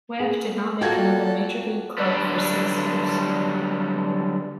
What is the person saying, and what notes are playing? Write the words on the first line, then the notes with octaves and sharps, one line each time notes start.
Webb did not make another major league club for six years.
G#4
A#3 F4 F#4 A4 G5 G#6 A#6
D3 F#3 G3 D4 A4 B4